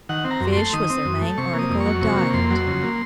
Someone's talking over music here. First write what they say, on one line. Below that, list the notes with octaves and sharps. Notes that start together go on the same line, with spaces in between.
Fish was their main article of diet.
D#3 F#5
C4
A#5
F#2
A3 C6
D#3 D#6
C4
F#2
A3
C3 C#6
A#3
D#6
F2
C#6
F#3
C3 C#6
A#3 C#6
F2 C6
F#3 C6
C#3
A#3